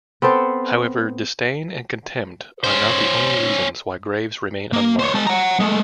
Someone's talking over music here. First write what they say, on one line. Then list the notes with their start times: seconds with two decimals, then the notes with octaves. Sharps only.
However, disdain and contempt are not the only reasons why graves remain unmarked.
0.22 B3 C4 A4 C5
2.64 C#4 C5
4.73 A#3
4.99 C5 C#5
5.14 G#3 A5
5.27 F#5 A#5
5.60 G#3 A3